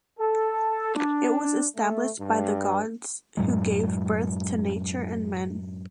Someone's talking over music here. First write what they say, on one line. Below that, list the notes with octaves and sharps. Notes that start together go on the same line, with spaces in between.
It was established by the gods who gave birth to nature and men.
A4
D4
A3
G2
F#2 A2 F#3 G#3